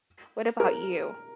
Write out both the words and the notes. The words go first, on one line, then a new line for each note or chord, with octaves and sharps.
What about you?
A#4